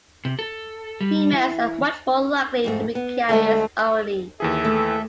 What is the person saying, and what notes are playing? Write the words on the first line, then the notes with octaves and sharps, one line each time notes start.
Females are much more likely to be carriers only.
C3
A4
G3
E3
F2 G#2 A3
B3
D2 G#3 A3 E5
D#2 E3 G#4 A4 E5
A3